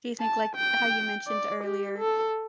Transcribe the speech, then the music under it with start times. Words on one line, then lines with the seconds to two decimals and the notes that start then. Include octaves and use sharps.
Do you think like, how you mentioned earlier,
0.21 A5
0.56 G5
1.27 D5
1.64 G4
1.99 A4